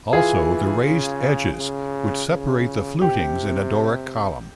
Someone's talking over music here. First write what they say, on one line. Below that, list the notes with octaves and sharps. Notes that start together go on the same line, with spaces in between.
Also the raised edges which separate the flutings in a Doric column.
E3 F4 G#4
C#3
C#3
C#3
C3 G4